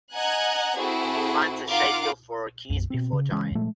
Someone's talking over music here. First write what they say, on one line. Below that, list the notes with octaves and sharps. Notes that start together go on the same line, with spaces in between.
Find the schedule for A Kiss Before Dying.
D#5 F#5 G#5 A#5 F#6 G#6
C4 E4 F#4 G#4 A4
D#4 F4 A#4 F5 F#5 D6
B1 F#2
B2 C4
C#3
C#3 E3 G#3 C#4
A#2 F3 G#3 A3